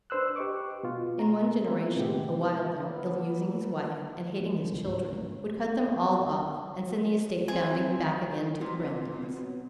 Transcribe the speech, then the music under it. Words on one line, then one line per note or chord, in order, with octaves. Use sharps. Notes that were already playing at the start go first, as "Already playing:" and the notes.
In one generation, a Wylder ill-using his wife and hating his children, would cut them all off, and send the estate bounding back again to the Brandons.
D4 B4 C5 E6 F#6
G4 B4 D#5 C#6 D6
B2 F4
A#5
G#3 A#3 C4 E4 F4 A#4
A2 C3 D#3 G#3 B3 G4
A#3 B3 A4
B3
F3
C#2
G#2
G2
A#3
C4 G#4
A#2 C4
B2 F#3 B3